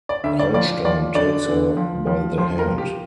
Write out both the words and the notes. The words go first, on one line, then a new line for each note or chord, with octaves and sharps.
Holstein takes her by the hand.
D5
D2 E5
D5
F3 D5
F3 D5
D3 D5
D3
F3
F3
F3 C5
A#4
F3
G4